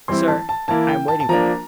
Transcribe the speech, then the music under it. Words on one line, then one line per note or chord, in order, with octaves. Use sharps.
"Sir, I am waiting for you."
E3 G3 C4 E4 C6
A5
A5
E3 A#3 E4 A5
G5
A5
A5
F3 A#3 D4 A#5